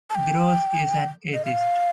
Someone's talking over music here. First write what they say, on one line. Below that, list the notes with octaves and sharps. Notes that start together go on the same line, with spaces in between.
Gross is an atheist.
A5
G5
D#5
F5